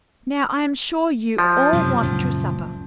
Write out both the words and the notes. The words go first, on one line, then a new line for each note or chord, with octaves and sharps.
"Now I am sure you all want your supper."
F3
F#2 C3 F#3
C#2 F#2 A#2